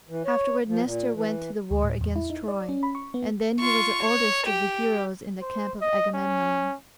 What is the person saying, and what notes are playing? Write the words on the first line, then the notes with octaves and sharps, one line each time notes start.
Afterward Nestor went to the war against Troy, and then he was the oldest of the heroes in the camp of Agamemnon.
E3
C#5
F3
A#2
E3
D2
A2
E2
E4
D#4
D5
C#4
B5
C#6
B3
F4 C#6
C#5
G4
C5
D#5
C#4